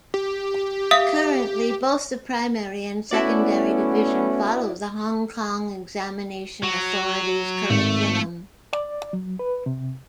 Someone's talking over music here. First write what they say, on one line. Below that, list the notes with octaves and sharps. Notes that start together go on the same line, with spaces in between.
Currently, both the Primary and Secondary Division follow the Hong Kong Examination Authority's curriculum.
G4
E5 F5 D#6
A3 B3 C#4 E4 F#4 D5
F#3
G#1 A3
D5
F#3
B4
C3